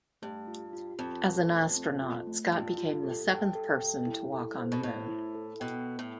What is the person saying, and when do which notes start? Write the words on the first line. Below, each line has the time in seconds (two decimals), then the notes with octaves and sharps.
As an astronaut, Scott became the seventh person to walk on the Moon.
0.22 G2 A3
0.48 F4
0.73 F4
0.99 F2 F4
1.24 A4
1.51 A3
1.76 C4
2.02 F4
2.27 A3
2.52 G2 F4
2.78 F4
3.03 A4
3.29 G2 G5
3.55 A4
3.80 G5
4.07 E4
4.32 A4
4.58 C5
4.72 B2
4.83 A2 C5
5.08 E4
5.35 A4
5.60 B2 G5
5.86 G5
5.99 A2